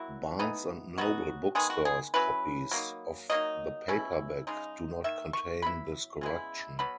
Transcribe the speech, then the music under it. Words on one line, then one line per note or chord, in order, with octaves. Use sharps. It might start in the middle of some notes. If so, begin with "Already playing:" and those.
Barnes and Noble bookstores copies of the paperback do not contain this correction.
Already playing: F#3 A#3 E4 F#4
E3 B3 D#4
F#3 B3 D#4 F#4
D#3 G#3 B3 G#4
F#4
G#4
F#3 C#4 E4 B4
F#3 A#3 D#4
F#3 A#3 D#4 D#5
B2 F#3 C#4 E4
C#3 G#3 D#4
D#3 A#3 E5
C#6
F#3 B3 E4 B5
C#3 G#3 B3 E4
B2 F#3 B3 B5